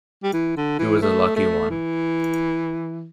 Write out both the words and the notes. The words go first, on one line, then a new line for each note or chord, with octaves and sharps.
He was a lucky one.
G3
E3
D3
E3
A3
A3
E3